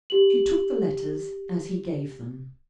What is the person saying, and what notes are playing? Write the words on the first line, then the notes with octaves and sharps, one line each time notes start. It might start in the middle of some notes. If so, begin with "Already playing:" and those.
She took the letters as he gave them.
G4 F#7